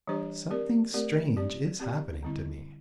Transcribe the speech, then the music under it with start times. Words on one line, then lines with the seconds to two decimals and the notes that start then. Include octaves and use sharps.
Something strange is happening to me.
0.07 E3 G3 D4 G4 C5
0.50 C4 G4 A#4 D5
0.93 A3 C4 G4 A#4 D5
1.37 C4 G4 D5
1.80 C4 G4 D5
2.23 D3 G3 C4 E4